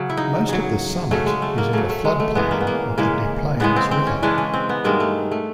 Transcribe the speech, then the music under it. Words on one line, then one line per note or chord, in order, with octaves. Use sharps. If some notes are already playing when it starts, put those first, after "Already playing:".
Most of "Summit" is in the floodplain of the Des Plaines River.
Already playing: C#3 F#3
E4
D#4
C#3 F#3
C#3 F#3 A3
G#3
A3
A#3
C#3 F#3 A3
A3
G#3
A3
C#3 E3 G#3 B3
A#3
B3
A#3
C#3 E3 G#3 A#3
C#3 E3 G#3 B3
C4
C4
C#4
C#3 E3 G#3 D4
C#4
C4
B3
G2 D#3 G#3 A#3
A3
A3